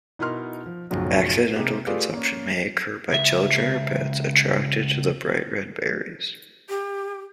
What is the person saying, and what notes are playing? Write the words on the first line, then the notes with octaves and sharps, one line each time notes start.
Accidental consumption may occur by children or pets attracted to the bright red berries.
B2 D#4 E4 A#4 C6 F6
F3
F#1 B1 A2 F3 F#3
C3 G#3 A#3 D#4 G4
A3 F4 G4 G#4 B4 D5
A#3 C#4
C#2 E5
G4